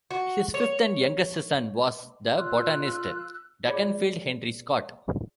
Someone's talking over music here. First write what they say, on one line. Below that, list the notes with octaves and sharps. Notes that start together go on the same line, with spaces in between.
His fifth and youngest son was the botanist Dukinfield Henry Scott.
F#4
C#5
F4 E6 F#6
F4 G#4 C#5 D5